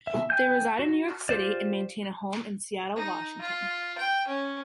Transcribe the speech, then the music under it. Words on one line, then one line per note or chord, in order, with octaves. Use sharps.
They reside in New York City and maintain a home in Seattle, Washington.
E5
G5 G#5 G6
F#4
F4 G4 C5 D5
D#4
F4
G5
C#4